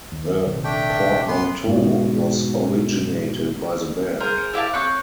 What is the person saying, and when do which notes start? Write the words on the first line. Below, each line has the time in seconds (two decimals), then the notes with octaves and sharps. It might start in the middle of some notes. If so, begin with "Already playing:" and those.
The portmanteau was originated by the band.
0.12 D#2
0.45 A#1 C3 D#3
0.64 A3 D4 G5
1.28 B3 C6
1.67 G#2 B2
4.20 G#4 A#4 C5 F5
4.53 E4 G4 F5 A5
4.73 C4 C#5 C#6 F#6